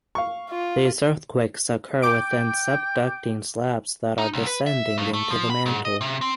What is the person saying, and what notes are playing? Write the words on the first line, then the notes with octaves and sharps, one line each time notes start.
These earthquakes occur within subducting slabs that are descending into the mantle.
F5 C#6
F4
G5 D6 G6 D7
D#4
C2
B4
E5
G2
A3
F3
B5
G#2
D#5
C3
C4